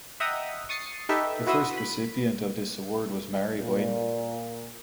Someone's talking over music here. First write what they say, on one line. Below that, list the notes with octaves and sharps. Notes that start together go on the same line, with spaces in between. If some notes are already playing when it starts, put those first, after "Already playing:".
The first recipient of this award was Mari Boine.
D#5 E5 F#5 G5 A#5 D#6
C#6 D#6 A6 C7 C#7
D#4 G4 A4 B4 E5
E4 F#4 B4 E5 C6 D#6
B5
A#2